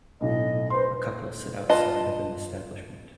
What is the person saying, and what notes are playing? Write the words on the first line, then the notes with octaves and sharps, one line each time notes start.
A couple sit outside of an establishment.
B1 A2 D#5
B4 C5 C6
F4 B4 D#5 A5